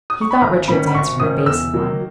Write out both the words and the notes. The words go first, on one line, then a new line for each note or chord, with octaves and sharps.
He thought Richard's answer an evasive one.
D#6
C#6
B5
G#1 A#5
G#2 D#3 A#3 C#4 B5
B5
G#1 C#6
G#2 D#3 A#3 C#4 D#6
E2 E6
D#3 F#3 A#3